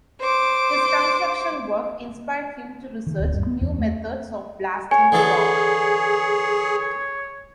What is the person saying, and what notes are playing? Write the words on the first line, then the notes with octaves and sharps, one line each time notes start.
His construction work inspired him to research new methods of blasting rock.
C5 D6
D#3
D1
G2
B3
E2
A3
C#5 G#5
D3 E3 G#4 A4 C#5